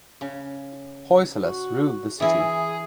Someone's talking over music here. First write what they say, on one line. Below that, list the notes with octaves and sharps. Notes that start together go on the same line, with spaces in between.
Hoysalas ruled the city.
C#3
F#4
E3 E4 G#4